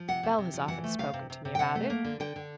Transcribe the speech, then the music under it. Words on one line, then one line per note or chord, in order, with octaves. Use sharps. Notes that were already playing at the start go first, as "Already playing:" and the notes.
Bell has often spoken to me about it.
Already playing: F3
C3 F#5
C3
C3
F3
E3 F#5
A3
C3 F5
C3
C3
C3
G5
C3 F#5
A3
A#3
D3
D3 G5
D3